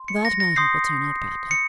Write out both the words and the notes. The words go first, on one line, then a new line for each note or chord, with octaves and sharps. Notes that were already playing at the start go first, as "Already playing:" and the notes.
That matter will turn out badly.
Already playing: C6
C#7
A#6
A#6
C6 D#6 G6 C7
C#7